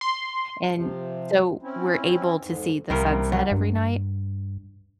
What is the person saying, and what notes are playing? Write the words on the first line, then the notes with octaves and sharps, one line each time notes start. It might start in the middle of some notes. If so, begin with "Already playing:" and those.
and so we're able to see the sunset every night.
C6
C3 F3
C4 C#4 E4
F2 G#2
C2 A#3 A#4
F#3
G2